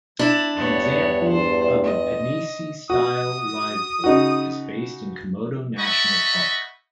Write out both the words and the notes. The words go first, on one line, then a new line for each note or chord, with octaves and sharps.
An example of a pinisi style liveaboard is based in Komodo National Park.
D4 E4
E2 G2 B3 C#5
C5
D#5
F#4 D#6
C#3 D#4 F#4
D#5 E5 F#5 A5 B5 C#6